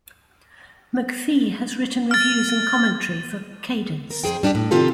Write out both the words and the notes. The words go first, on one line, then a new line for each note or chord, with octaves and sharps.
McPhee has written reviews and commentary for "Cadence".
F6 A6
A#4
F2 G#4 C5 G5
G3 D4 F#4 G4
A2
C3 D#3 C4 F4 G4 A4